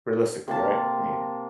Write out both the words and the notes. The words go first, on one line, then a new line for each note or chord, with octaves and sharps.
realistically, right? I mean
C3 A#3 A5